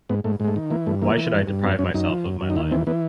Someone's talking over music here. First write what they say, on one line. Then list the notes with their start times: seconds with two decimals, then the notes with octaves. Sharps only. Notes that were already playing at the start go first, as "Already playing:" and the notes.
Why should I deprive myself of my life?
0.09 G#2 B3
0.24 G#2 A3
0.40 G#2 G#3
0.48 A3
0.56 D#3
0.70 E3 A#3
0.86 G2 A3
1.02 E3 A#3
1.17 E3
1.32 G2
1.47 G2
1.63 F#2 B3
1.79 F#2 C#4
1.94 F#2 D#4
2.10 F3
2.26 F#2
2.41 F#2
2.50 D#4
2.56 D#2 E4
2.71 E3 C4
2.87 E3 B3